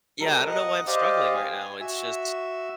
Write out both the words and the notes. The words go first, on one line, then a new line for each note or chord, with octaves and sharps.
yeah, I don't know why I'm struggling right now. It's just
B2 G3 A4 A#4
D#5 F#5
G4 C5 D5 D#5 F5
G#5
F#4 E5 E6